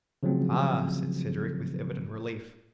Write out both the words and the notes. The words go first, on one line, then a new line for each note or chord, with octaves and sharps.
"Ah!" said Cedric, with evident relief.
C#3 F3 F#3 A3 C4